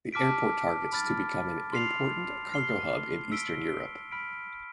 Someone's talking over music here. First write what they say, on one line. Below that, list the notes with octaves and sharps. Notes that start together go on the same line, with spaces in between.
The airport targets to become an important cargo hub in Eastern Europe.
A5 D6 F6 B6 D7
B5 F6 A6
C6 F6 C7 F7
F6 C7 G7
E6 B6 D7 G7
B5 F6 B6 D7